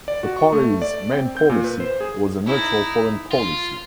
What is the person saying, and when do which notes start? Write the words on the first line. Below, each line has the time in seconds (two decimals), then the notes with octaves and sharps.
The party's main policy was a neutral foreign policy.
0.08 D5
0.23 F#4
0.37 C#6
0.52 A3
0.82 D5
1.10 C4
1.37 G6
1.50 A#2
1.64 B4
1.80 C5
2.01 G#4
2.46 D#4 E4
3.32 F4